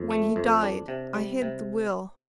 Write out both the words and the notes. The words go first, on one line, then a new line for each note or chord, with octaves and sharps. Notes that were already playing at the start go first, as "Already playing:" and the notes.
When he died--I hid the will.
Already playing: F2
A3
F2
D4
C3
G3
C3